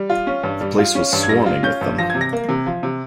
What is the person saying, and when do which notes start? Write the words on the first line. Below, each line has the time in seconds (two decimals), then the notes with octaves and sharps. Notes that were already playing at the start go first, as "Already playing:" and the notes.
The place was swarming with them.
Already playing: G3
0.10 F4
0.27 C#4
0.43 G2
0.61 G3
0.79 F4
0.95 C#4
1.13 G2
1.23 G#6
1.29 G3 A#6
1.46 F4
1.63 C#4 G6
1.81 G2
1.98 F3 A#6
2.10 G#6
2.15 C3
2.21 A#6
2.33 A#3
2.49 C3
2.66 F3
2.83 C3